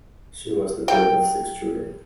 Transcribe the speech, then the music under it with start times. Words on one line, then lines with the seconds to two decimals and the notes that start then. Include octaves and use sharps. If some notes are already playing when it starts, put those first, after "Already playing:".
She was the third of six children.
0.88 G5